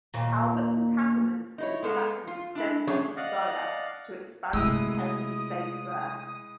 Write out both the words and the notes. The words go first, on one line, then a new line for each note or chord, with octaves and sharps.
Albert's entanglements in Saxony stemmed from his desire to expand his inherited estates there.
D#2 A#2
D#4 E4 C#5
G#3 B3 A4 C5 F5
F4
D4 E4
F#3 A3 C#4 D4 G#4 C#5
D5 D#5 F5 F#5
C3 G#3 A3 E4 D#6 E6